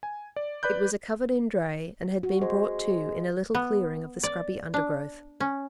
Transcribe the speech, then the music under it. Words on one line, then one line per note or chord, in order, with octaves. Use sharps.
It was a covered-in dray, and had been brought to in a little clearing of the scrubby undergrowth.
G#5
D5
B4 D5 B5 F#6 G6
F#4
G#3 C5
B3
D5
D4
C#4